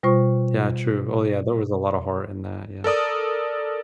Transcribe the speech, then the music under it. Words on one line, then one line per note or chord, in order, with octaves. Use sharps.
Yeah, true, oh, yeah, there was a lotta heart in that, yeah.
B2 G3 F4 C5 C#6
A4 A#4 D5 D#6